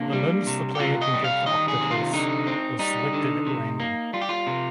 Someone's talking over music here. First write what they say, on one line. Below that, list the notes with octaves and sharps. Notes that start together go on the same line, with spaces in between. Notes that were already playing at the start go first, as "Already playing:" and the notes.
The limbs the player can give the octopus is selected at random.
Already playing: C3 A#3 D4
G3
C3
G4
C3 F4
D#5
G3
F5
D#3 D#5
G#4
C3
F4
D3 D#4
C4
G3 D#4
D3
C3
A#3
G3 F4
G4
F4
C3